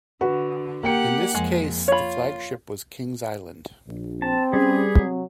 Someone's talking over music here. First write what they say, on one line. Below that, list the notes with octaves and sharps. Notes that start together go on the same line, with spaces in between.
In this case, the flagship was Kings Island.
D3 F#4 B4
A#3 G4 F#5 G5 C#7
F2 G#3
F4 C#5 B5
A#1
C4 A5
G3 C#4 G#4 B4
C3 F#3 C4